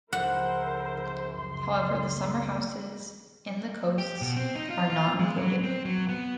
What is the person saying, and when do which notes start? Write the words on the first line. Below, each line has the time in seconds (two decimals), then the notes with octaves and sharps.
However, the summer houses in the coasts are not included.
0.13 C#2 F3 E4 F4 A#4 C5 F#5
1.33 F#2 C#3 C6
3.98 G4
4.21 B2
4.36 C4
4.55 D#4
4.70 F4
4.90 F4
5.19 G#3
5.39 F#3
5.63 C4
5.85 F#3
6.09 B3